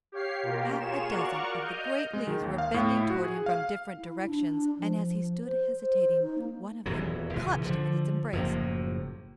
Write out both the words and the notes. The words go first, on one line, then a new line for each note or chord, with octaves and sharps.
Half a dozen of the great leaves were bending toward him from different directions and as he stood hesitating one of them clutched him in its embrace.
G4 C#5 F5 C7
B2 A#3 F4 G4 A#4
F4 G#4 C#5 E7
F#4 A#4 D5 F5 F#5 C#6
D#5 D#6 F6 G6
G#3
D#3
D#2
F5
A2
E4
F#4
G#4
F5
E4
D4
F3
C5
C5
D#4
A#3
D#1 E2 E3 F#3
A#1 C#3 E3
D3 F3
F#1 A2 F3 A#3